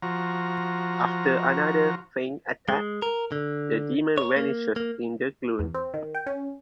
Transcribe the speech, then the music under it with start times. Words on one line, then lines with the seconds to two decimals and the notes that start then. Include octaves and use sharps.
After another feigned attack, the demon vanishes in the gloom.
0.02 F3 F#4 A#5
2.69 G#3
3.02 A#4
3.32 D3
4.18 C#5
4.36 A#3
4.76 A#3
5.59 E2
5.74 C4
5.94 D#3
6.15 G5
6.26 C#4